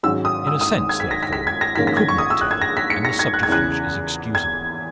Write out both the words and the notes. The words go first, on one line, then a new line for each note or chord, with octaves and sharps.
In a sense therefore, he could not tell, and the subterfuge is excusable.
G#1 G#2 F#3 C#4 E6
D#6
E6
D#6
G#6
B6
A#6
B6
B6
G#6
A#6
A#1 G#2 D#3 A#3 C#4 B6
A#6
G#6
C#6
D#6
E6
F#6
G#6
A#6
B6
C#7
A#6
G#6
F#6
G#6
E2 C#3 E3 F#6
G#6